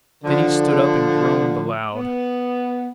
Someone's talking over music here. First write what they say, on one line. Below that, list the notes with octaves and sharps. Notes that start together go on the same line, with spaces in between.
Then he stood up and groaned aloud.
D3 F3
B3